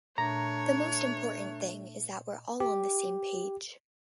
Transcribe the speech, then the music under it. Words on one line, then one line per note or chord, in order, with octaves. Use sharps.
The most important thing is that we're all on the same page.
A#2 A3 D4 C#5 A#5
G4